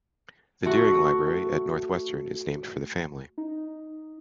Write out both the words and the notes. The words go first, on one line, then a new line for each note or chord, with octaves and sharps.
The Deering Library at Northwestern is named for the family.
A3 F#4 C#6
D#4